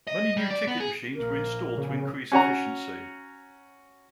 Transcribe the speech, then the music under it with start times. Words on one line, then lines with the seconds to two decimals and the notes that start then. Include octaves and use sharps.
Many new ticket machines were installed to increase efficiency.
0.07 D#5
0.37 G3
0.51 D5
0.67 B3
0.80 G#4
1.15 A#1 A#3 A#4
1.77 C#3
2.32 C#4 F#4 C#5 A#5